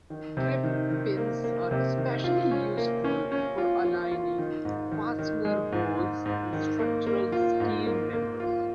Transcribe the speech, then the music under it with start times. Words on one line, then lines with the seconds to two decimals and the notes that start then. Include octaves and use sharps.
Drift pins are especially useful for aligning fastener holes in structural steel members.
0.10 D#3
0.37 C3
0.64 D#3
0.90 D#3
1.17 A#3
1.44 A#3
1.71 C3
1.97 D#3
2.24 F4
2.51 C#4
2.77 A#3
3.04 C#4
3.32 C#4
3.58 F4
3.85 F4
4.11 F4
4.38 D#3
4.65 G#2
4.92 D#3
5.19 D#3
5.45 G#3
5.72 G#2
5.99 G#2
6.26 G#2
6.53 D#3
6.79 A#3
7.07 A#3
7.32 F4
7.60 G#2
7.86 A#3
8.13 A#3
8.40 F4